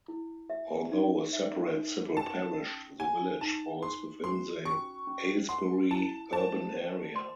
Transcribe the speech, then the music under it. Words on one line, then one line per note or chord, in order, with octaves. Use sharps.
Although a separate civil parish, the village falls within the Aylesbury Urban Area.
E4
E5
D#4
E5
D#4
C#4 A5
C#4
F#5 G#5
D#4 A5
A5 C6
F#4 C6
C#4 C#6
C#4
F#5 C6
E4 A5
C5 A5
C5
C6